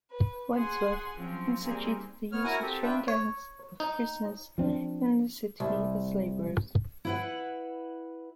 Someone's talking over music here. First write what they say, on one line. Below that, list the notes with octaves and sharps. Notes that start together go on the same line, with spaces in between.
Wentworth instituted the use of chain gangs of prisoners in the city as laborers.
B4
G#4 F#5 G#5 C6
F3 F#3 C4 C#4 F4
G3 A#3 C4 D#4 G#4
B3 C#5 F6
E4 F#4 A#4 F#5 G#5 A#5
C4 G4 A4
D4 F4 B4 E5 G5
C#5
D#4
F3 C4 D4
C2
E4 B4 F#5